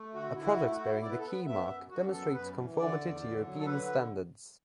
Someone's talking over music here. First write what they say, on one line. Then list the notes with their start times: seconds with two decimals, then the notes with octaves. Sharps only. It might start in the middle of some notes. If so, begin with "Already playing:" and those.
A product bearing the Keymark demonstrates conformity to European Standards.
Already playing: A3
0.14 D3 F#4
0.35 E4
0.44 F#4
0.58 A3
0.73 F#4
0.80 E4
1.02 B3 D5
1.10 B4
1.19 A4
1.23 B3 B4
1.46 B3 E5
1.68 F#2
1.90 F#2 F#4
2.11 B3 A4
2.34 F#2 B4
2.56 E3
2.78 D3 D5
3.00 E2
3.22 D3
3.44 F#3
3.60 A4
3.65 D3 B4